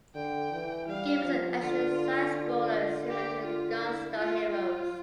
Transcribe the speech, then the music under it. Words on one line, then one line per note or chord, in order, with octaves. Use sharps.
The game is an action side-scroller similar to "Gunstar Heroes".
D3 G5
E3
G3 F5
F3
D3 F4
F4
G4
F4
E4
F4
F4